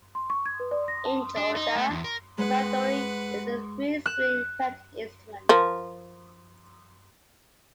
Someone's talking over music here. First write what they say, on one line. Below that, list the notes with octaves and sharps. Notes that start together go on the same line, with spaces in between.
In Georgia the "panduri" is a three-string fretted instrument.
C6
C#6
G#6
B4
D5
A#6
A5
D4
D#4
A3
E2
A#4
G#3 B4 F#5
F#6 E7
F3 A#4